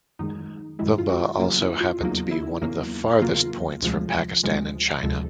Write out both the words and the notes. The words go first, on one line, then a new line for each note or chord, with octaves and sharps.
Thumba also happened to be one of the farthest points from Pakistan and China.
F#2 D#3 G#3 D#4
F#2 D#3 G#3 E4
F4
F#4
E2 C#3 F#3 A#3 F4
E4
F4
E2 C#3 F#3 A#3 D#4
E4
E2 C#3 F#3 A#3
E2 C#3 F#3 A#3 F4
D2 C3 F3 G#3
D2 C3 F3 G#3
D2 C3 F3 G#3 A4